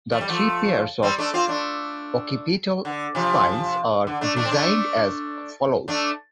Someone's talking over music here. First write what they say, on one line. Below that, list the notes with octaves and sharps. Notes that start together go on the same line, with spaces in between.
The three pairs of occipital spines are designed as follows.
A3
G3
F3 A3
G3 C4
A3 D4
C4 F4
A3 D4
D3
C3 F3
D3
A3 D4
A3 D4
C4
A3 D4
A3 D4